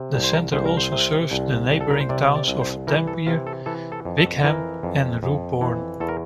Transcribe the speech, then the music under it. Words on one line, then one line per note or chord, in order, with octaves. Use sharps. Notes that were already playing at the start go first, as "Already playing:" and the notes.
The centre also serves the neighbouring towns of Dampier, Wickham and Roebourne.
Already playing: C3
C2
C5
A#4
C2 C5
A#4
C5
C3
C2
C2
A4
A#4
C5
C3 D5
D5
C2
C5
E3 A#4
A4
C3 F4
A4
E3 A4
A4
F2
A4
E3 A#4
F2
F2
E3
E2 A4
A#4